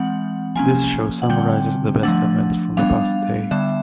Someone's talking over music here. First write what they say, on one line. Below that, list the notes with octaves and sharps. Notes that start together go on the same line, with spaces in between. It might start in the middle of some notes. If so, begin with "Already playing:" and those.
This show summarizes the best events from the past day.
Already playing: E3 G#3 C4 F#5
F3 A#3 C#4 G#5
F#5
D3 G3 C4 G5
F3 A3 D4 F#5
G3 B3 D4 F5
D3 G3 B3 E5